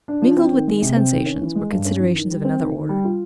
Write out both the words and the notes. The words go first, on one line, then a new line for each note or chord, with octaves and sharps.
Mingled with these sensations were considerations of another order.
D4
F3
C4
D#3
G#3
C3
C4
D#3
C#4
E3
G#3
G2
C#4
E3
D#3
G3
C4
D#3
D#3
G3
F4